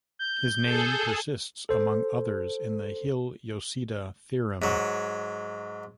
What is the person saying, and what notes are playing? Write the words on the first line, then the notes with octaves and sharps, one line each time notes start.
His name persists among others in the Hille-Yosida theorem.
G6
G#4 A4
A4 C5
G#2 F#3